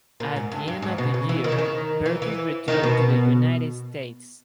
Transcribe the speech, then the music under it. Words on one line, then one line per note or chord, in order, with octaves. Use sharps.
At the end of the year "Perkins" returned to the United States.
A#2
G#2
G2
G2
G#2
B2
C#3
E3
D#3
C#3
D#3
E3
E3
D#3
B2